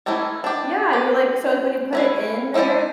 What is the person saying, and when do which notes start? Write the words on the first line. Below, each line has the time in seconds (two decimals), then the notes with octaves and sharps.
Yeah, you like, so, like, when you put it in there,
0.06 E3 A3 C#4 D#4 E4
0.44 D4 G4
0.93 G4
1.93 C#4 E4 B4
2.54 G#3 E4 A4 C5 D5